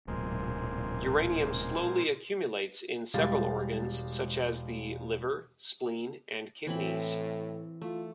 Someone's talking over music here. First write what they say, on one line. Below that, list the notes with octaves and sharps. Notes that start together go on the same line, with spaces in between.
Uranium slowly accumulates in several organs, such as the liver, spleen, and kidneys.
D1 B1 A#2 G#3 C4
E1 G3 G#3 G4 F5 A6
A2 E3 C4 B5
A3 F4